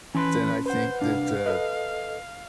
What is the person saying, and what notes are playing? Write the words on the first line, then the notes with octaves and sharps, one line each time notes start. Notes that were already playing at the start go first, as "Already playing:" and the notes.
then I think that, uh
E3 C#4 B4 A5 C6
B4 C5 F#5
C2 D4 F5
A4 B4 D#5